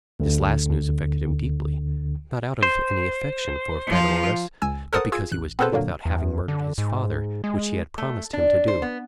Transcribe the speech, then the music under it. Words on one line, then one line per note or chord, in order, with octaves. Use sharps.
This last news affected him deeply; not out of any affection for Pheroras, but because he was dead without having murdered his father, which he had promised him to do.
D2 D3
C5
F3 F4
C#2 G#5 E6
A4 A#4 C5 F#5 D#6 A6
F4 G#4 E6 G#6
A1 F#6
B3 C4 G#4 A4 B4 C5
A#2 D3 F#3 A#3
E2
D3
G#2
G#3
A3
D4
C5
B3